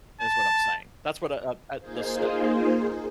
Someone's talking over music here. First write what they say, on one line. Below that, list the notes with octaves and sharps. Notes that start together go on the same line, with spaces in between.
That's what I'm saying. That's what, uh uh, the Sn uh,
A5
A#3 D#4 F4 G#4 C5